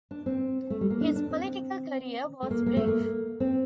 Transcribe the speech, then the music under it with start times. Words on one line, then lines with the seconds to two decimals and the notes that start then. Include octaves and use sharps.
His political career was brief.
0.11 D4
0.26 C4
0.70 A3
0.81 G3
0.90 A#3
1.01 D4
1.16 D4
1.31 C4
2.43 A3
2.51 A#3
2.66 A#3
2.77 A3
2.87 A#3
3.40 C4